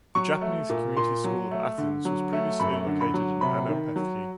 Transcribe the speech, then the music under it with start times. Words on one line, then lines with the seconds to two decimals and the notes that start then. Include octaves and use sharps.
The Japanese Community School of Athens was previously located in Ano Pefki.
0.15 F#3 C#6
0.41 A3
0.70 A#2
0.97 A#2 C6
1.24 F#3
1.51 A3
1.78 D3
2.05 F#3
2.33 A3
2.60 F#2 B5
2.87 D3
3.01 B5
3.14 F#3
3.41 C3 B5
3.69 D#3
3.96 F#3